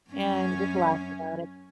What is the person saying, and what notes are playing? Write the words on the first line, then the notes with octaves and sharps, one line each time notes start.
and just laugh about it.
F#2 C#4